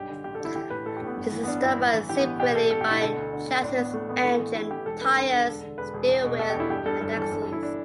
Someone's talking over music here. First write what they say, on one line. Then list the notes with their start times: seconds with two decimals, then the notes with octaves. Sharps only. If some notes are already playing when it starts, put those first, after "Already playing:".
This is done by separately buying chassis, engine, tires, steering wheel, and axles.
Already playing: B1 G2 G4
0.09 D3
0.24 A1 G4
0.35 A4
0.40 D3 E4
0.55 E3 G4
0.70 A2 B4
0.86 A1 A4
0.97 G4
1.02 A2
1.07 B3
1.17 G1
1.32 E3
1.43 B3
1.48 G2 D4
1.63 G1 E4
1.79 A1
1.94 E3
2.09 E3 G4
2.19 B3
2.24 A1
2.40 B2 G4
2.55 B2 A4
2.71 B2 A4
2.81 G4
2.86 B2
2.91 E4
3.01 D3 A4
3.17 D2
3.32 D3
3.48 D2
3.63 A2 D4
3.78 A1 B3
3.94 A1 A3
4.09 A1 B3
4.24 E3 A3
4.39 A1 B3
4.55 A1 E4
4.71 E3 G4
4.86 E1 A4
5.01 D2 B4
5.17 D2
5.32 D3
5.47 E1 A4
5.63 D3
5.78 E1 B4
5.94 E1
6.09 E2
6.24 B2
6.39 B2 A4
6.50 G4
6.55 E2 E4
6.70 G2 G4
6.86 G2 A4
7.01 G1 A4
7.11 A4
7.16 E3
7.21 A4
7.32 G1 A4
7.42 A4
7.47 G1
7.53 E4
7.63 D4